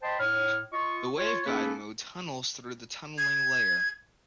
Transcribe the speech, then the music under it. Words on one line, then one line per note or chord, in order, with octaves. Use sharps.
The waveguide mode tunnels through the tunneling layer.
C5 D#5 G5 A5 B5 C6
A2 C#5 F6
F4 D#5 C#6
F4 C#5
A#3 C#4 D#4 G#4 A4 B4
G#6